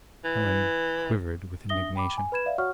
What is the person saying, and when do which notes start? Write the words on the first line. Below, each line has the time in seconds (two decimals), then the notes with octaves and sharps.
Helen quivered with indignation.
0.25 E3
1.69 D4 E5 D#6 A#6 G7
1.95 G5 B5 D6
2.18 G#5
2.32 B4 B5 G#6 E7
2.46 D5 E5 F5
2.58 F#4 C#5 F#5 C#6 F6